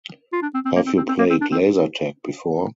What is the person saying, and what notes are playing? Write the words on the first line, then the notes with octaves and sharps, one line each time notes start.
Have you played laser-tag before?
F4
D4
C4
C4
A#3
C4
C4
C4
A#3
C4
D4
C4